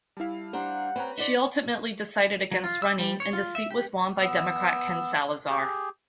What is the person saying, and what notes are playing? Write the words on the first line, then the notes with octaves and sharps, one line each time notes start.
She ultimately decided against running, and the seat was won by Democrat Ken Salazar.
G3 E4 F5 A5
D4 G4 C5 F#5 A#5 G6
C4 B4 C#5 A#5
D#4 C5 D5 F#5 B6 E7
F#3
F4
E6
G3
C#5
F4
E5
G4
B3 E6
G4 G#4